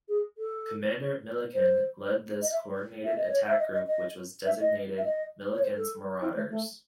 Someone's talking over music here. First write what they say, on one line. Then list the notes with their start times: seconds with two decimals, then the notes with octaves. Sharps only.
Commander Millican led this coordinated attack group, which was designated Millican's Marauders.
0.09 G#4
0.38 A4
1.54 C5
2.42 D#5
2.52 E5
3.04 E5
3.17 D#5
3.29 C#5
3.47 E5
3.59 D#5
3.73 D#5
3.88 D#5
4.46 E5
4.61 D#5
4.98 E5
5.04 D#5
5.55 C#5
5.63 C5
5.77 A4
6.21 E4
6.35 A3
6.50 A3